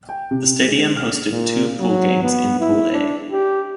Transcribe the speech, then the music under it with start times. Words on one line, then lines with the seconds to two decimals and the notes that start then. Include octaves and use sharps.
The stadium hosted two pool games in Pool A.
0.09 G5
0.31 C3
0.67 G#3
0.96 F6
1.31 A#2
1.80 F#3
2.23 B3
2.61 E4
2.93 D4
3.32 G4